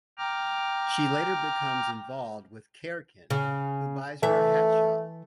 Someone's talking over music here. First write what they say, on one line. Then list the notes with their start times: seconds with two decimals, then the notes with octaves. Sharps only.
She later becomes involved with Karekin, who buys her a hat shop.
0.18 G5 A#5 D6 F6
3.30 C#3
4.23 E3 A3 E5